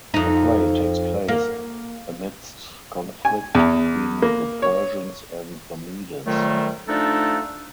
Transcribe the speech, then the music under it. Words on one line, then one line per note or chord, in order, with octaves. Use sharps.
The play takes place amidst conflict between the Persians and the Medes.
F2 D#4
A#3
G#5
E2
A#3
C#5
F2 A#2 D#3 F#3 G3 A3
D3 F3 A3 D4 D#4 A4